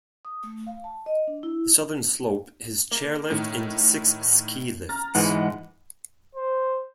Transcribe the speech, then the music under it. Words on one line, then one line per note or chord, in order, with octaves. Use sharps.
The southern slope has chair lift and six ski lifts.
D#6
A3
F5
A5
D#5
D4
E4
A#3
A2 D#3
A#5 F6 A6
G#2 E3 G#3 B4 F#5
C5